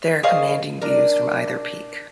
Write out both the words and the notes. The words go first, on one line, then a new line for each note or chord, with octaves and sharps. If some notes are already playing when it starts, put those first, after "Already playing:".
There are commanding views from either peak.
G#4 A#4 C5 C#5 D#5 F5
D4 A#4